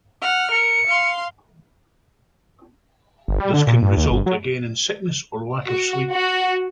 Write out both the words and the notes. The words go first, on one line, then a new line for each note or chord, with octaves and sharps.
This can result, again, in sickness or lack of sleep.
F#5 F6
A#4 C#7
F5 C6
G1
G3
D3
A#2
G2
D#2
G1
F#3
F#4
F#4